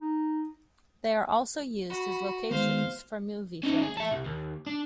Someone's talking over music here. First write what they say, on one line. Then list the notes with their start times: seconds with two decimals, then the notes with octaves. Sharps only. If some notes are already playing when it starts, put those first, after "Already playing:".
They are also used as locations for movie filming.
0.01 D#4
1.90 F#4 B5
2.51 D#3 G#3 B3 C5 F5
3.63 C#4 D#4
3.82 G#4
3.97 E5 A5
4.11 C2
4.25 D#2
4.67 D4